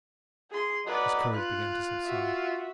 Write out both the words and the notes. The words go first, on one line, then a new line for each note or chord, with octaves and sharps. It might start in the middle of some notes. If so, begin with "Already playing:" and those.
His courage began to subside.
G#4 C6
F#3 B4 D5 D#5
F4 F#6
F#4 E5